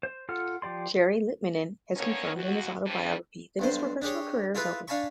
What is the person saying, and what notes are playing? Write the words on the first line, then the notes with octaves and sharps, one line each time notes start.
Jari Litmanen has confirmed in his autobiography that his professional career is over.
C5
F4 A4 F#5 F6
F3 G4 D5 C6
D3 D#3 A#3 B3 C#4 C#5
D#2 F#4
C#3 E3 G3 C4 D4
B1 G2 C5
D4 G4 G#4 C#5
E4 F4 G#4 A4 B4
D4 F5 G#5 A5 B5 C#6